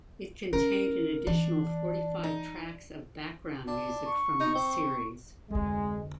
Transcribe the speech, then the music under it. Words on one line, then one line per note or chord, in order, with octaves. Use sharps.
It contained an additional forty-five tracks of background music from the series.
C#4 A#4
E3 D4
D#4
D4
C#6
D#4
C4
F1 D2 G#3